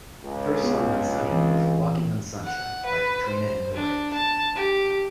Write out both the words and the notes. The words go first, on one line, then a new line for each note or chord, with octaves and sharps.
The first song on "Sunny" was "Walking on Sunshine" by Katrina and the Waves.
C#2
B3 F4 G#4
E3 C4
F#5
B4
C5
D4
A5
G4